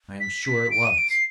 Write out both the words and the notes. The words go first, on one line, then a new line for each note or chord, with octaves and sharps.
I am sure it was.
B6
B6
D7
D#7
D7
C7